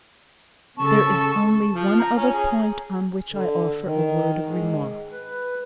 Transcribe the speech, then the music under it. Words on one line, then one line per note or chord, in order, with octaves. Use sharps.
There is only one other point on which I offer a word of remark.
C#3 A4 A5 C#6
F3
A#5
C#4
G#4
D3
D#3
G#2
B4